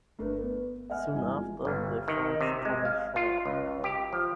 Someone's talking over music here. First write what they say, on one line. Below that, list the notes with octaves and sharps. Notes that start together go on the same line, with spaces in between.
Soon after, they found Tommy Shaw.
A3 D4 A#4 B4
B3
D#5 E5 F#5 G#5 F6
G2 E3 G#5
F3 G#3
G1
D#3
C3
G#3
F5
F4
C#2
G4
F3